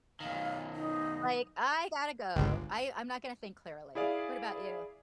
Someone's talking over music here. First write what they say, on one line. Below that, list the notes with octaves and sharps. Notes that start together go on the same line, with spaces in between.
like, I gotta go, I I'm not gonna think clearly. What about you?
B1 D#3 F5
D#4
G1 C#2
E4 G#4 D5 F5